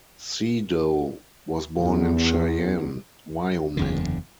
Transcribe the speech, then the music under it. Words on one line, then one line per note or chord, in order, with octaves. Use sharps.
Siedow was born in Cheyenne, Wyoming.
E2
F#1 E2 D3